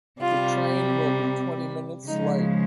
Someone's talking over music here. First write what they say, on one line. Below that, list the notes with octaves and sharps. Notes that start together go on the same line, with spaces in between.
The train will be twenty minutes late.
C3 G3 F4
C#3 F3 G#3 D#4